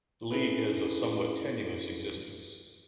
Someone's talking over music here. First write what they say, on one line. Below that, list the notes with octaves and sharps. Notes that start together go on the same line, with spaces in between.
The league has a somewhat tenuous existence.
C#4 D4 E4 G#4 A4 B4